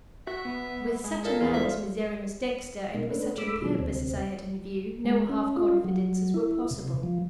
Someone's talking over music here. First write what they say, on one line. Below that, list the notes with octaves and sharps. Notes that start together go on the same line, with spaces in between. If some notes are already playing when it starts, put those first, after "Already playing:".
WITH such a man as Miserrimus Dexter, and with such a purpose as I had in view, no half-confidences were possible.
F#4 E5
B3
G#3
A#2 A4
E2 F4 G#4
D2 E5
B2 A#3 D#4
A3 C#4 D4 B4
G#3 A3 B5 D6 E6
B2 D#3 F3 F#3 G#3
D2 C3 C4
G#3
C#4
F4
F#3
E4
C3
F3